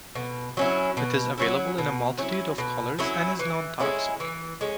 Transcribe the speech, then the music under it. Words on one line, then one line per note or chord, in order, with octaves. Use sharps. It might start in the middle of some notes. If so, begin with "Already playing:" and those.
It is available in a multitude of colors and is non-toxic.
B2
F#3 C#4 E4
B2
F#3 C#4 E4
B2
F#3 C#4 E4
B2
F#3 C#4 E4
E3
G#3 C#4 E4
E3
G#3 C#4